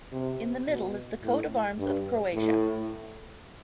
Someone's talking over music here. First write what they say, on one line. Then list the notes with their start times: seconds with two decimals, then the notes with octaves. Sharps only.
In the middle is the coat of arms of Croatia.
0.12 C3
0.68 B2
1.23 A2
1.78 G2
2.34 A2